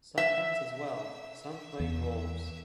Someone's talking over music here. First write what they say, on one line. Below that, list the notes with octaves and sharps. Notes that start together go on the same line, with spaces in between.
Sometimes as well, some plain wolves...
E5
E2